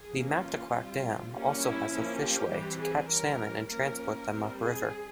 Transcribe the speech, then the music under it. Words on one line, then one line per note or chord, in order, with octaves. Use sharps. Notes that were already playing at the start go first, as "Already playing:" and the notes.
The Mactaquac Dam also has a fishway to catch salmon and transport them upriver.
Already playing: G#4
E3 A#3 C#4
F4
G3 C4
G3 A#3 C#4
E4
F3 A#3 C#4
G4
E3 G3 C4
G#4
G3 C#4 A#4
F3 A#3 C#4 A#4
G3 C4
G#4